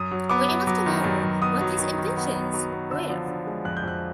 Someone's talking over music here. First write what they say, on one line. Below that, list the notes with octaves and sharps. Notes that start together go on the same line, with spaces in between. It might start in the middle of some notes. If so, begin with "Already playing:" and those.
Well enough to know what his intentions were?
Already playing: F#2 D#6
F#3
B3 D6
F#3
F#3 D6
D#3
F#2
F#2
B3 D#6
F#3
D#3
D#3
B3
B3
F#3
B3
D3 E6
F3
D3
G#3
F2 F#6
G6
F2 F#6